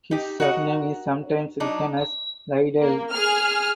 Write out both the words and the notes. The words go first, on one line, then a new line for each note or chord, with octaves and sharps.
His surname is sometimes written as Lidell.
D#4 G4
F#4 A#4 D#5 F#5
F#3 D4 D#4
A#3
G#4 F6